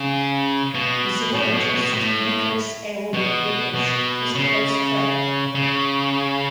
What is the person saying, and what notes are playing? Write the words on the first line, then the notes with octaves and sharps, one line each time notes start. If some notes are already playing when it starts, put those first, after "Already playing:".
The zoologist Nicholas Aylward Vigors was a close friend.
Already playing: C#3
B2
A2
B2
B2
A2
B2
B2
C#3
C#3